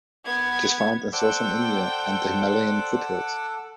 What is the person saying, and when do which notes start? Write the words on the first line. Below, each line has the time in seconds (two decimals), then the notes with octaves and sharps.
It is found in southern India and the Himalayan foothills.
0.24 B3 G#6
1.13 A4 C5 D5 F#5 G5 D6 E6